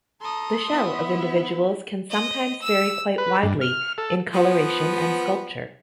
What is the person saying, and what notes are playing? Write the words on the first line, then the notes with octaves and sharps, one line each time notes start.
The shell of individuals can sometimes vary quite widely in coloration and sculpture.
A4 A#5 C6 D#6
B3 E4 E5 B5
D#5
E6
B4
G2
F6
A4
F3 B3